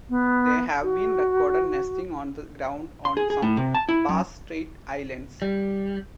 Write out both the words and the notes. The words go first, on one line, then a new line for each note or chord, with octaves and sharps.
They have been recorded nesting on the ground on some Bass Strait Islands.
B3
F#4
C6
G#4
G#4
A2
C3
A5
E4
F#2
G3